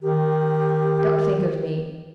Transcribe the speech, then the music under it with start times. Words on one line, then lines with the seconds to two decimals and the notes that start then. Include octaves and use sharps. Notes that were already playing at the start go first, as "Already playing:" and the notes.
Don't think of me.
0.03 D#3 G4